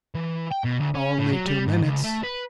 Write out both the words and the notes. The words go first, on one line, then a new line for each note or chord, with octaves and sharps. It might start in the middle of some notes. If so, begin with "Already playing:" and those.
"Only two minutes."
E3
G5
B2
D2
C#4
A2
F#3
G3
G#2
C#2
A3
B4